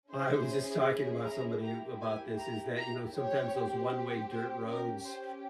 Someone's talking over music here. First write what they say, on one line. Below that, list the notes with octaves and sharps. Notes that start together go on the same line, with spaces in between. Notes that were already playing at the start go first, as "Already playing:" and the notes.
I was just talking about somebody about this is that, you know, sometimes those one-way dirt roads,
C#4 E4 G#4 C5
A#5
A#3 E4 G4 A#5
G#5
A#5
A#5
C4 G4 C#5
C5
C#4 G4 A#4
C5